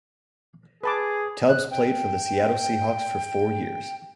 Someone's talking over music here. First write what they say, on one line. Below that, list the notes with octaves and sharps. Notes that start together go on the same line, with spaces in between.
Tubbs played for the Seattle Seahawks for four years.
G#4 B4 A5 D6
F#6
G5